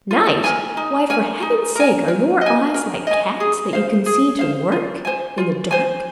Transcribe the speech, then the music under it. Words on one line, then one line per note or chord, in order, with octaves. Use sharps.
"Night!--why, for heaven's sake, are your eyes like cats', that you can see to work in the dark?"
F4
A#4 G#5
D#4
A#4 G#5
D#4
A#4 G#5
A#4
D#5 G#5
A#4
D#5 G#5
G#4
C5 F5
G#4
C5 F5
F4
C5 G#5
F4
C5 G#5